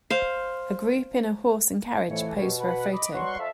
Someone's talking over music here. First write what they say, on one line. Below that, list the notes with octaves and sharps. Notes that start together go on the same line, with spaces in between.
A group in a horse and carriage pose for a photo.
C5 F5
F2 A2 E3 A3 C#5
A#1 B2 G4 C#5
B4 F#5 B5
D#5 B5 D6
B2 F#3 G3 C6 C#6 F#6
F2 E5 F5 A5